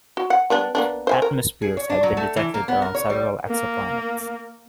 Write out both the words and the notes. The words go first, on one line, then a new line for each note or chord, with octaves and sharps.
Atmospheres have been detected around several exoplanets.
F#4
F#5
G3 B3 D4
A#3 B3 D4
C5 E5 G#5
A#4
G#4
C#5
D4
F#3
A3
E3
A#3
B3
A#4
C#5
G3
A#3